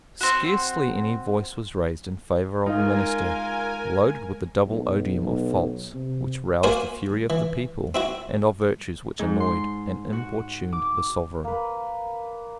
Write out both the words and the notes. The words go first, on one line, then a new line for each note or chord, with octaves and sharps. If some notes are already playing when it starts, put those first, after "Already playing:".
Scarcely any voice was raised in favour of a minister loaded with the double odium of faults which roused the fury of the people, and of virtues which annoyed and importuned the sovereign.
C4 F#4
G#3 D#4 F4 G#4 A#4 F5 G#5
B1
B1
C3
A#3 F#4 A#4 C5 F#5 G#5
E3
C4 E4 F#4
G#2
C6
F#4
D6
A#3 B4